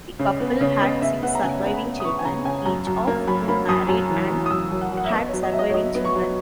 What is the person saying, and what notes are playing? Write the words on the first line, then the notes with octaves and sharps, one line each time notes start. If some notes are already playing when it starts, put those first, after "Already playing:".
The couple had six surviving children, each of whom married and had surviving children.
C#3
B3
C#3
B3 D#5
C#3 E5
B3 F#5
A#5
C#3 G#5
B3
B5
B3
D#6
B3 C#6
G#5
C#3 A#5
C#3 G#5
F#2 A#5
F#2
A#3
F#2 B5
A#3 B5
F#2 D#6
F#2
E3
E3
D#6
F#2 E6
F#2
F#5
F#2
F#5
E5
B3 D#5
C#5
F#3
D#5
F#3 E5
D#5
C#5
F#3 D#5
B3
C#6
F#3